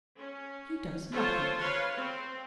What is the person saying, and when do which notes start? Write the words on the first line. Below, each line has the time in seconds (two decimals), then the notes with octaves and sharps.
He does--nothing.
0.17 C#4
1.12 F4 A4 C5 C#5
1.59 B4 C#5 F5 C6
1.97 C4